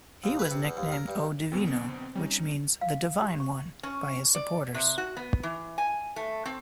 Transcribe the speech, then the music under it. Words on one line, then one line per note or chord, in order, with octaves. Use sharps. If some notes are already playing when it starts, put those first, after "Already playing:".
He was nicknamed O Divino, which means The Divine One, by his supporters.
D#2
B4
C3
E2
D#2
A#4
G2
F#2 B2 D3 B3 C4
G3 C#4 D#4
F5
G4
C#6
C#4
D5
C3
F#4
B3
E3
G#5
A3
C4